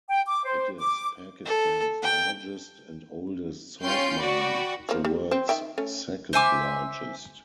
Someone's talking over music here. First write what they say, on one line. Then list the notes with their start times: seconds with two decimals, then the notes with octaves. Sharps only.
It is Pakistan's largest and oldest salt mine and the world's second largest.
0.09 G5
0.26 D6
0.45 C5
0.78 D6
1.45 A4
2.03 G5
3.83 C#4 F4 G5 C6 G6 C7
4.18 F#4 D5 G5 B5
4.89 F3 A#3
5.05 G3
5.31 C4 C5
5.49 D#3 E5 G5
5.78 A3 C#4
6.33 C5 E5 G#5 D6